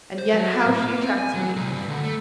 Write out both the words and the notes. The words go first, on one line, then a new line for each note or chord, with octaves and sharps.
And yet how she attracted me!
C5
F#3
A2
A#3
C4
G#5
F#3
C2
G2
D2
A3